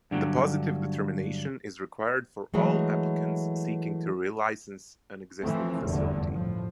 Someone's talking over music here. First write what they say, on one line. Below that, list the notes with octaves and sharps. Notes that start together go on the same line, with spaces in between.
The positive determination is required for all applicants seeking to relicense an existing facility.
G2 D3 F3 F#3
E3 F#3 G#3 A3
E3 F3 A3 C4
F1 E2 G2 D3
A2 F3